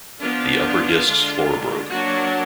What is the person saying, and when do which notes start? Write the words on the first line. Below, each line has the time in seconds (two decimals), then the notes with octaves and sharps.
The upper disc's floor broke.
0.20 F3 B3 D4 F4
1.05 D3 G#3 D4
1.89 F#3 A#3 D4 F#4